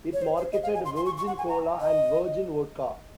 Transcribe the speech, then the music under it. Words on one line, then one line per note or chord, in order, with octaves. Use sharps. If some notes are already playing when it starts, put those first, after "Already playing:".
It marketed Virgin Cola and Virgin Vodka.
C#5
C5
C5
D#5
F5
G#5
C6
C6
C#6
C#6
F#5
G#5
A#5
D#5